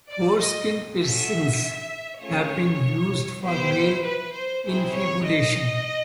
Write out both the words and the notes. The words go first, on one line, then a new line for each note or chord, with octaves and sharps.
Foreskin piercings have been used for male infibulation.
D5
D#5
C#4 F#4 A4 E5
A3 C#4 F4 G#4 C#5
B3 E4 G4 C5
B4
C5
C4 E4 G#4 C5
C#5
D#5